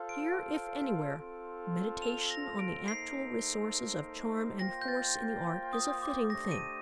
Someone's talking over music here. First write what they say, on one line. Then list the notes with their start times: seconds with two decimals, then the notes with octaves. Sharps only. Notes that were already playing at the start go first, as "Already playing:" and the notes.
Here if anywhere meditation on the actual resources of charm and force in the art is a fitting thing.
Already playing: F4 A4 C5 F5
0.09 D7
1.16 C4 F4 A4
2.02 F7
2.31 A#6
2.59 D7
2.87 A#3 D#4 A4 C5 C7
4.59 A#3 F4 C5 G5 A#6
4.81 G6
4.88 A6
5.73 D#6
6.02 D6
6.30 A3 D4 G4 C5 A#6
6.51 D#7